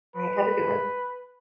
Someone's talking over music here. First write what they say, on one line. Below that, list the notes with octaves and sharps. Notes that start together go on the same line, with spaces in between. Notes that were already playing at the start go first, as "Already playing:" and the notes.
All right, have a good one.
B4